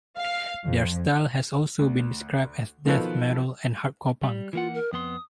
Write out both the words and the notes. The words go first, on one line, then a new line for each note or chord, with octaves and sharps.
Their style has also been described as death metal and hardcore punk.
F5
F2
D2
B2 D#3 F3 A4 B4
G3
E3 A#3 F4 F#5
A#4
F2 B3 C6 D#6